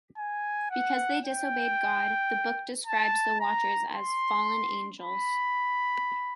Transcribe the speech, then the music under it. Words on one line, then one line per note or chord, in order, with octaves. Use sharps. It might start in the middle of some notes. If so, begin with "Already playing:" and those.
Because they disobeyed God, the book describes the Watchers as "fallen angels".
G#5
F#5
G5
A5
A#5
C6
B5